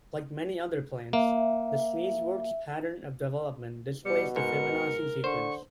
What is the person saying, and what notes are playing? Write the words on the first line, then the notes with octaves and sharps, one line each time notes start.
Like many other plants, the sneezewort's pattern of development displays the Fibonacci sequence.
A#3 E5
B2 G3 C#7
G#2 A#4 C#7
D3 C5 C#6